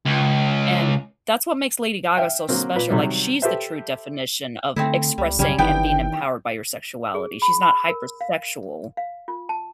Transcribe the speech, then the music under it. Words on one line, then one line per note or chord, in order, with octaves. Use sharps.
And that's what makes Lady Gaga so special, like, she's the true definition of expressing and being empowered by your sexuality, she's not hypersexual.
C#2
E5 F5 G5
D3 F#3 A#3 C4
A#2 B4
C3 D#3 F#3 G3
G4 A4 B4 C5 E5
D3 A3 C4 D#4 E4
C#2 G3
B1 F#2 C#3 G3 C#4
G1 D#3 E3 B3 G5
G#4
B5
B5
A#4
F5
F5
F4
A5